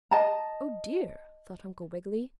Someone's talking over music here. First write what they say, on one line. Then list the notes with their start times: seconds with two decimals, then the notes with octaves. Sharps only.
"Oh, dear!" thought Uncle Wiggily.
0.11 D#5 A5 A#5